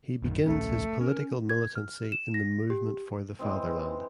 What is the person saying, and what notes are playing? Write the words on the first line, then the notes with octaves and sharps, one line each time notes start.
He begins his political militancy in the Movement for the Fatherland.
A#1 F#2 D#3
D1 A#1 A3 C#4
C#4 A#4
G#6
F6
E7
A#6
G4
E3 G#3 C4